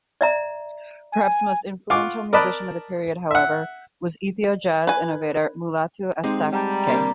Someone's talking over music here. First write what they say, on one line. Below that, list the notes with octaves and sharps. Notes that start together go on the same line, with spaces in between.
Perhaps the most influential musician of the period, however, was Ethio-jazz innovator Mulatu Astatke.
D5 E5 A#5
G#5
F4 F#5 C#6 D6
A#4 D5 D#5 A5 B5 F#6
E5 F#5
B4 G#5
G#3 C4 D#4 G4
G3 G5 A5 A#5
C3 A#3 D4